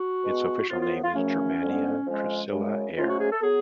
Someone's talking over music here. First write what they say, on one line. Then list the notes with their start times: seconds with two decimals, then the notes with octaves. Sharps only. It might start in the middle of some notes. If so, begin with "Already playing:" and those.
Its official name is Germania Trisila Air.
Already playing: F#4
0.23 B2 G#3 B3
0.69 F#2 F3 B3 F4
0.81 F4
1.03 F4
1.14 F#2 C#3 F3 A3 C#4
1.60 F2 D3 G#3 B3
2.06 F2 F3 G#3 C#4
2.52 F#2 C#3 G#3
2.97 G#2 F#3 A3 C#4 F4
3.09 F#4
3.20 G#4
3.32 A4
3.43 F#3 B3 G#4